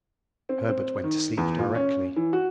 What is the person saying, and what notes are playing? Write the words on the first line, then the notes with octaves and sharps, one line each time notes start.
Herbert went to sleep directly.
C4
C4
D#3
E2
A#2
C#4
E3
F#4